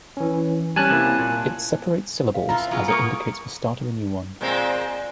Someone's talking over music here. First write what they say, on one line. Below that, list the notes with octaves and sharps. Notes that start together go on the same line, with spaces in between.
It separates syllables, as it indicates the start of a new one.
E3 C#4
G3 C#4 G#5 A5 F#6
C3 A#3 E4
A#2
F5
E3 E4 F4 A#5
F#3 B3 F4 G#4
A#3 F4 A#4 C#6 D#6 C#7
A#2 G#3 C4